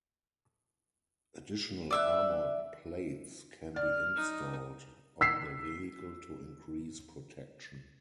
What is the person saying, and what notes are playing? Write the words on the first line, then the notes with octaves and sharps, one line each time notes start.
Additional armoured plates can be installed on the vehicle to increase protection.
D5 E5 F#6
D5 F6
D#4
E6 B6 C7